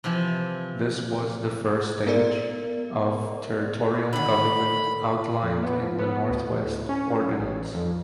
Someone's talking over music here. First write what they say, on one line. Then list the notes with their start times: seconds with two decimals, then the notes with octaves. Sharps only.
This was the first stage of territorial government outlined in the Northwest Ordinance.
0.04 C3 E3 F3 G#5
2.07 B3 A#4 D5
4.13 D3 D#3 B5
5.43 F2
5.63 B3
5.82 F3
5.99 B3
6.30 D2
6.62 A2
6.89 C#4
7.21 F#3
7.40 A1
7.75 F2